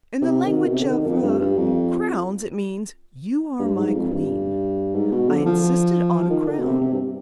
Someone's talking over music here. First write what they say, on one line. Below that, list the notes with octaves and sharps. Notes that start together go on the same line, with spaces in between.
In the language of--er--crowns it means 'You are my queen.' I insisted on a crown.
C3
D#3
B2
C3
D3
D#3
F2
G2
G2
F2
G2
G#2
F2
G2
G#2
B2
D3
F3
F3
D#3
D3
B2
C3
C3
G2